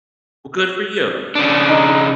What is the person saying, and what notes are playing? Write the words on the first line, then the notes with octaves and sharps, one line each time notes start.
Well, good for you.
C#3 D4
D#4